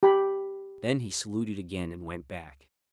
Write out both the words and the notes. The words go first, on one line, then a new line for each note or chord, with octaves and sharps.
Then he saluted again and went back.
G4 G5 B5